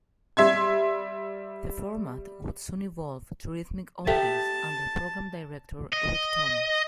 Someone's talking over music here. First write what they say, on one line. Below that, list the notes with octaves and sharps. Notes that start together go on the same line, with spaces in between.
The format would soon evolve to Rhythmic Oldies under program director Rick Thomas.
G3 E5 C6 G#6
G4 A4 E5 A5
D#5